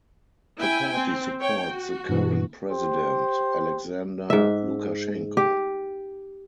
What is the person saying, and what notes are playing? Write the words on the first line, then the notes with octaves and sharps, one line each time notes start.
The party supports the current president Alexander Lukashenko.
E4 G5 G#5
C4
C#5 G5
F#4
G2 B2 E3
G4 C5
G#2 E5
G4